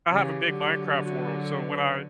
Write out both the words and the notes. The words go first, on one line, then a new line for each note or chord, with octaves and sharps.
I have a big Minecraft world, so when I
C#3 E3 G4
D3 F#3
G4
F#4
G4
A4
B4